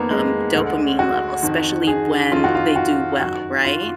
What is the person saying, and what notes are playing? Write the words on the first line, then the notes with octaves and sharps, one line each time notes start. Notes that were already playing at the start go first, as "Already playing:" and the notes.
um, dopamine levels, especially when they do well, right?
Already playing: F2 D#3 A#3 B3
G#3
D2 D3
F#4
F2 D#3
G#4
F2 D#3 F4
F#4
F4
F#4
F#2 D#3 F#4
F4